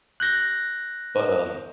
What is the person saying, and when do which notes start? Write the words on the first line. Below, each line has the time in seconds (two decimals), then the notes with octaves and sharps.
but, um,
0.20 F#6 G6 A#6